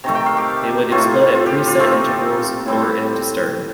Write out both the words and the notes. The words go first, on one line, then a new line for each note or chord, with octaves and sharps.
They would explode at preset intervals or if disturbed.
C3 D#3 A3 A#5
G5
F5
G4
A2 A3 D#4 F4
F4
G4
F4
F3 A3 C4 D#4
A2 G3 C4